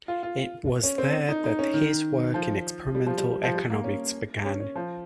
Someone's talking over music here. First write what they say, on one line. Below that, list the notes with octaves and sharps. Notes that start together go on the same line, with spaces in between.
It was there that his work in experimental economics began.
F4
F4
C#4
C4
D#4
D#4
C#4
D#3
F3
G3
F3
G3
F3
G3
A#3
C#4
C#4
C#4
F3